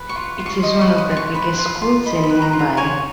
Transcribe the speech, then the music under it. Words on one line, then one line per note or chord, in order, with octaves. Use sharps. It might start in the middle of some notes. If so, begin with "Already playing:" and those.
It is one of the biggest schools in Mumbai.
Already playing: B4
C#6
F4
F4
C#6
D#5 D#6
C#6
B4
D#6
F4
C#6
B4 B5
F4
F4
D#5 B5
B5
B4
A#5
F4
A#5
C#5 G#5